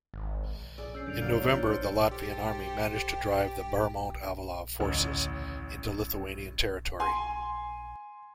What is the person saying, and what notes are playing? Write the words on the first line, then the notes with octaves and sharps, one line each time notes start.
In November the Latvian army managed to drive the Bermont-Avalov forces into Lithuanian territory.
G#1
A#1 G#4 D5 E6
C#4 E6 G6 C7
F#2 D3 G3 G6 D7 F7
F#3 A#3 F6 A6 D7
D#3 D4 F4 F#5
A1 C5
G4 A4 C5 G5
A1 D2 A2 C#3
G#5 C6